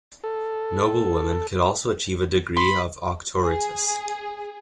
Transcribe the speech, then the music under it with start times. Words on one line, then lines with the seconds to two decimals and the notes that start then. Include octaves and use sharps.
Noble women could also achieve a degree of Auctoritas.
0.24 A4
2.57 B5 C6
3.42 G#4